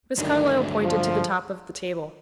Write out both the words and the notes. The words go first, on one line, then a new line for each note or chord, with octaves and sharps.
Miss Carlyle pointed to the top of the table.
G2 D3 D#3 F#3 A3 D4
F3